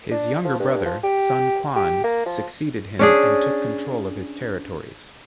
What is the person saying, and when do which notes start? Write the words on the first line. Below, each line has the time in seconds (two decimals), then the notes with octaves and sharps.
His younger brother, Sun Quan, succeeded him and took control of his territories.
0.11 D4
0.45 F3
0.59 G2
0.86 F3
1.03 G4
1.76 G4
2.04 A#3
2.26 F3
2.99 C#4 D4 G#4